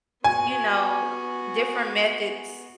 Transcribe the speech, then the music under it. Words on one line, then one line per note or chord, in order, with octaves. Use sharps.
you know, different methods
B3 F#4 G#5